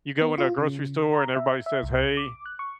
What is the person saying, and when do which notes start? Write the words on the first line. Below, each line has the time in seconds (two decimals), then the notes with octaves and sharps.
you go in a grocery store, and everybody says hey.
0.21 B3
0.38 F4
0.58 C#3
1.14 A#5
1.36 E5
1.66 E5
1.83 C2
2.17 D6
2.46 F#6
2.59 C#6